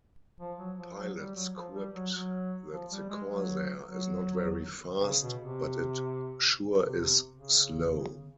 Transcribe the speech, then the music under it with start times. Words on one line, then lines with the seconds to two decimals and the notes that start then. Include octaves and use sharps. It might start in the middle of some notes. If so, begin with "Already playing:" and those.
Pilots quipped that the Corsair is not very fast, but it sure is slow.
0.40 F3
0.58 F#3
0.78 F3
0.97 F#3
1.17 G3
1.35 F#3
1.55 F3
1.74 G3
1.94 F#3
2.13 F#3
2.72 F3
2.91 G3
3.09 G#3
3.29 F#3
3.87 F#3
5.03 C#3
5.22 B2
5.42 C3
6.78 C3
7.35 C#3